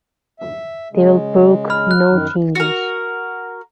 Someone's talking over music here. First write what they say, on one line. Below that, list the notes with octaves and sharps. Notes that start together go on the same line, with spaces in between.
They will brook no changes.
E5
C#3 G#3
B5 F6
F#6
F#2 D#3
F#4 A#4